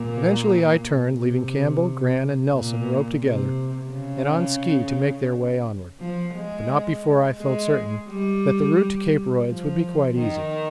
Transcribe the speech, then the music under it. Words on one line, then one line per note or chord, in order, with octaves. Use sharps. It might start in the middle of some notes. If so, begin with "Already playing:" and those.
Eventually I turned, leaving Campbell, Gran, and Nelson roped together and on ski to make their way onward, but not before I felt certain that the route to Cape Royds would be quite easy.
Already playing: A#2
C3
A#2
C3
C#3
F3
G#3
G#3
G3
F3
D#3